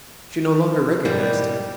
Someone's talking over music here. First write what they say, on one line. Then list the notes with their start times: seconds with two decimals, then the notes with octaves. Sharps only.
She no longer recognized it.
1.05 G#2 B2 G3 A#3 E4